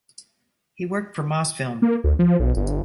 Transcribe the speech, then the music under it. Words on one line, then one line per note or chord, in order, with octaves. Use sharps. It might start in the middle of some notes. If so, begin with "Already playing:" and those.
He worked for Mosfilm.
A#3
D2
F3
B1
G1